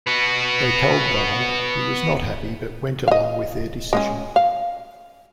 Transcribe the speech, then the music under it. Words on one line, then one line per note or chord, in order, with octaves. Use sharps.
They told Donald, who was not happy, but went along with their decision.
B3 F#4
D#5 F5
G#3 A#3 C#4
F5